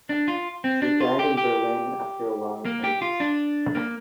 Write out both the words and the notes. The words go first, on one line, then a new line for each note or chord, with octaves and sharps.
She died in Berlin after a long illness.
D4
F4
C4
D4
F4
G4
G4
A#3
G4
F4
D4
A#3